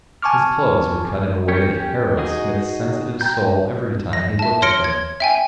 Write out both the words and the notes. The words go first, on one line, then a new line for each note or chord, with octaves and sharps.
His clothes were cut in a way that harrowed Psmith's sensitive soul every time he looked at them.
G#5 A5 C#6 D6 F6
C#4 G4 C#5
D#4 F#4 G#4 D#5
G5 A#5 G6
A#6
E5 A5
C#5 C6 F6 A#6 C#7 D7
G#6
E5 G5 G#5